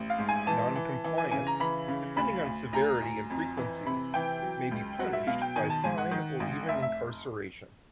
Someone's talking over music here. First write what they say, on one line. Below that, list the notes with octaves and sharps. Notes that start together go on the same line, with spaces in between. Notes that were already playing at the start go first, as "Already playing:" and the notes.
Noncompliance, depending on severity and frequency, may be punished by fine or even incarceration.
Already playing: A1
F5
G#2
G#5
E3 A5
E3
E3
G#5
C#3 G#5
A#5
E3 B5
C#3
D2 B5
D2
D2 A#5
D2
F2
E3
C3 B5
E3 G5
F#3
C#2
F#3 F#5
E5
B2 F5
G5
D#3 G#5
A5
G#2 G#5
F#5
D#3
G#1
F1 E5
E5